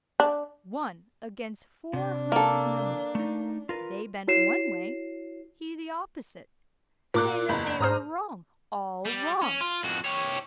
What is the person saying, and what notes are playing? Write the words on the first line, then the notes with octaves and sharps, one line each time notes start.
One against four hundred millions, they bent one way, he the opposite, saying that they were wrong, all wrong!
D4
C3 D4
A#3 A4
A3 D#4
F4 A#4 B4
E4 F#4 C#5 C7 E7
A#2 A#4 D6 F#6
F#1 E2 B5
G#2 C5 A#5 D#6 F6
G3
C#4
F4
F2 F#4
G4 C#5